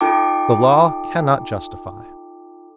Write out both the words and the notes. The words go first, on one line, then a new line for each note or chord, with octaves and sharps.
The Law cannot justify.
D#4 F4 A4 G5 A5 D6